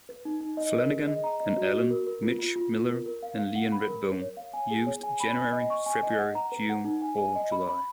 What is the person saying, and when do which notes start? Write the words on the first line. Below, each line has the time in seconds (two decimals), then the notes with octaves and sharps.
Flanagan and Allen, Mitch Miller and Leon Redbone used January, February, June or July.
0.09 B4
0.25 D#4
0.41 D#4
0.57 D#5
0.74 A#4
0.90 G#4
1.08 D#5
1.24 A#5
1.40 D#5
1.57 F#4
1.73 F#4
1.90 A#4
2.07 A#4
2.23 F4
2.39 F4
2.56 F4
2.72 F4
2.90 A#4
3.06 A#4
3.23 F5
3.39 F5
3.55 F#5
3.72 B5
3.88 A#4
4.04 A#4
4.21 C#5
4.37 F5
4.54 G#5
4.71 G#4
4.87 C#5
5.03 G#5
5.20 B5
5.37 G#5
5.53 D#5
5.70 C#6
5.86 G#5
6.03 D#5
6.19 F#5
6.35 A#5
6.52 B4
6.69 F#5
6.85 D#4
7.02 G#5
7.18 G#5
7.35 D#5
7.52 B5
7.67 B5